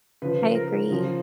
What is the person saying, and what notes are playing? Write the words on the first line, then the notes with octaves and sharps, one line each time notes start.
I agree,
C#3 F3 B4
A#4
C#3 F3